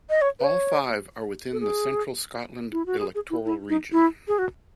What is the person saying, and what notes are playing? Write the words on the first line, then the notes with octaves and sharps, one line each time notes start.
All five are within the Central Scotland electoral region.
D#5
C#5
B4
C#5
A4
G#4
E4
F#4
G#4
G#4
E4
E4
D#4
E4
G#4
F#4